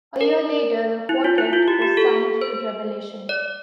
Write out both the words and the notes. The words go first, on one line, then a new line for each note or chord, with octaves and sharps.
A year later the quartet was signed to Revelation.
A#4
E4
F4
E4
F4
G4
G4
A4
C5
D5